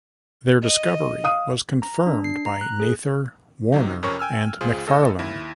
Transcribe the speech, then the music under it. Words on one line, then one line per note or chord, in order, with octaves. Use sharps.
Their discovery was confirmed by Nather, Warner, and Macfarlane.
D#5
F5 D#6 D#7
A#5
D4
C7
A#5
F#6
G#4
C3 F#3 D#4
F2 C3 C#4 A#4 C#5 C#6
G5 G#5 E6 F6
C#2 F4 G#4 C5
A2 A4 D#5
D#2 E4